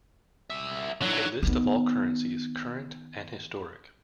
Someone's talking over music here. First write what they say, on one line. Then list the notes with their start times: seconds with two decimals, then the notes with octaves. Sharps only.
A list of all currencies, current and historic.
0.50 G3 E5
1.02 D3 E3 F#3
1.43 D#3 B3